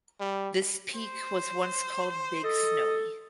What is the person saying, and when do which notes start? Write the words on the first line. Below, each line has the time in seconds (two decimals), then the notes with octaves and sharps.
This peak was once called "Big Snowy".
0.20 G3
0.96 C5
2.44 A4 D#5